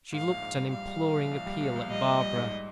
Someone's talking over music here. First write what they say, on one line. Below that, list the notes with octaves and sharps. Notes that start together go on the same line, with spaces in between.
She looked an imploring appeal at Barbara.
G#2 F5
A#1
G#2
G3
G3 F5
G3
A#1
A#1
A#1
G3
A#1
A#1
G3 D#5
A#1
G3
G#2
G3